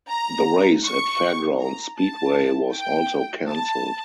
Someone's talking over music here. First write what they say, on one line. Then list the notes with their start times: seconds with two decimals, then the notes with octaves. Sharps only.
The race at Fairgrounds Speedway was also cancelled.
0.10 A#5
0.84 C#6
1.60 A#5
1.98 A5
2.73 G5
3.48 A5